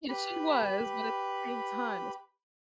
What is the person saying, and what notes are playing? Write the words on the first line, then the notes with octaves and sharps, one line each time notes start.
Yes, she was, but at the same time, it's
G4 B4 B5